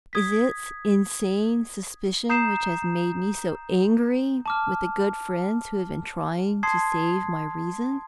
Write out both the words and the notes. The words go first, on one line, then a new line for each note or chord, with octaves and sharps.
Is it insane suspicion which has made me so angry with the good friends who have been trying to save my reason?
D#6 G#6 B6
A#5 D#6 G6 C7 E7
A5 D6 F6
A5 C6 D#6 G#6 C7